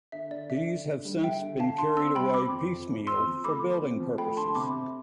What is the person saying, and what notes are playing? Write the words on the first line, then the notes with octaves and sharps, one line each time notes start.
These have since been carried away piecemeal for building purposes.
D3 E5
D3 D5
D4 E5
D3
D3
G3
D3 E5 G5
D3
D3 F5 A5
D3 A5 C6
C4 C6 E6
G3 G5 B5
C4 B5 D6
F2
F2
F2
C4 C6 E6
F3
A3 B5 D6
F3
C4
F3
A3 G5 B5
D3 A5 C6
C3 B5 D6
C3